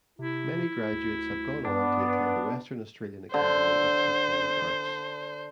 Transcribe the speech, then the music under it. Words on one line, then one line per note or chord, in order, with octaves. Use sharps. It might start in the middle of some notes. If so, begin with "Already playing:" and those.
Many graduates have gone on to attend the Western Australian Academy of Performing Arts.
C3 E4
D2
G2 B3 D4
D3 C5